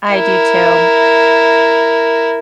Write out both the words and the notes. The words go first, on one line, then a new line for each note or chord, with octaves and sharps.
I do, too.
E4 A#4